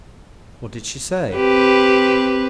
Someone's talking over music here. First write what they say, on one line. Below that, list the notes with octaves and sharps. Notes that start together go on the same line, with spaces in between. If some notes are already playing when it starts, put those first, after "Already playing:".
"What did she say?"
C4 G4 B4